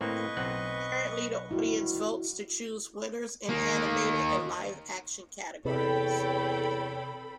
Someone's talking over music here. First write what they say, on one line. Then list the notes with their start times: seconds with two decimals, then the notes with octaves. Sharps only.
Currently, the audience votes to choose winners in animated and live-action categories.
0.01 A2 A#3 C4 B4 D#5 C#6
0.37 B1 C4 F#5
1.51 D2 D#3 G3 E4 F#4
3.49 D#3 A#3
5.65 E2 C3 A4 C#5 G5 B5